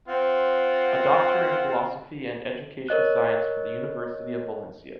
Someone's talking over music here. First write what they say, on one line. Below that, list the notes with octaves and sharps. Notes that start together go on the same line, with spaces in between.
A Doctor in Philosophy and Education Science for the University of Valencia.
C4 F4 F#5
A#4 C#5 D#5 F#6